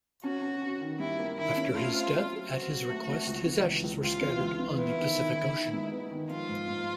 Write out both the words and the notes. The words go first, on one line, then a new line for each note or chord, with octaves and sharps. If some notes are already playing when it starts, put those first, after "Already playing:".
After his death, at his request, his ashes were scattered on the Pacific Ocean.
C#4 F#4
C#4
C#4
D#3
G3 E4
A#3
D#3 E4
C#4
A3 F4
C4
F#3
F#3
C4 F#4
F#3
A3
A3
C#2
E3
C#2
C#2
C#2 F4
E3
C#2
E3
B3 E4
D#3
D#3
D#3
D#3
G#3
B3
D#3
F3 F4
G#2
G#2